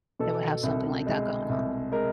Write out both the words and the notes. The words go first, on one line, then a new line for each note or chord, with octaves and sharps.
they would have something like that going on.
B2 A4
C2
G#3
C2
G#3 A#4